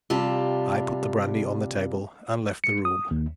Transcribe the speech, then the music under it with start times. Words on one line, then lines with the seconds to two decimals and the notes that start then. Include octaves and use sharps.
I put the brandy on the table and left the room.
0.10 C3 G3 F4 A5
2.64 C#7
2.85 D#6
3.11 D#2